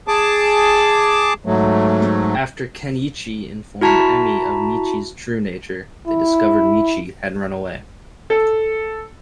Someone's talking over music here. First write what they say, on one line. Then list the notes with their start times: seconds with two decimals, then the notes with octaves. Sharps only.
After Ken'ichi informed Emmy of Michi's true nature, they discovered Michi had run away.
0.08 G#4 A5 D6
1.46 G#2 F#3 A3
3.81 E4 F#4 A5 A#5 B6
6.07 E4
8.30 A4